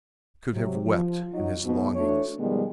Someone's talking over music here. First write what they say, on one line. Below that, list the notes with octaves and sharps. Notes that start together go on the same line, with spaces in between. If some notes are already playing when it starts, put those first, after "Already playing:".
He could have wept in his longings.
C3 F#3
F3
F#3 D#4 F4 F#4
G#2 B2
E3 A3 D4 E4 F#4 C#5
B2 D#3 F3 G3 G#3 B3